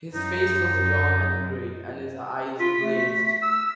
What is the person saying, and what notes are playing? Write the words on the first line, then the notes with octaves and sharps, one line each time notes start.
His face was drawn and grey and his eyes blazed.
F#2 D#4
F4 B6
A3
E6